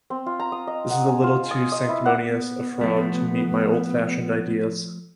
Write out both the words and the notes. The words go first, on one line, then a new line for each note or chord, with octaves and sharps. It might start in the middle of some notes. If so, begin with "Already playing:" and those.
This is a little too sanctimonious a fraud to meet my old-fashioned ideas.
C4
F4
A#5
D#6
D#5
F#5
G#5
F4
D#6
D#5
E4
F#5
B3
F3 A3